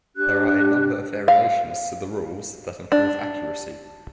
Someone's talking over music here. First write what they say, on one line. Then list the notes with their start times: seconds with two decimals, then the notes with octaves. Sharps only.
There are a number of variations to the rules that improve accuracy.
0.15 D4 G4 F#6
1.28 F5
2.92 D4